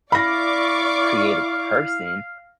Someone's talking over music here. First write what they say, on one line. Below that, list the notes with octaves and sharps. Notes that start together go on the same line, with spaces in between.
creative person,
E4 D5 F5 B5 C#6 D6 A#6